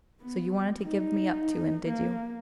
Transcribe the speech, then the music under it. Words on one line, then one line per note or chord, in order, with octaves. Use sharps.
So you wanted to give me up to him, did you?
B3
D#4
A#3